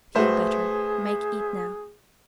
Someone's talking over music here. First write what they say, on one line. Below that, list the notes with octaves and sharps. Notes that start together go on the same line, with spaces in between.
"Feel better, make eat now."
A2 F#4 G#4 B4 C5 E5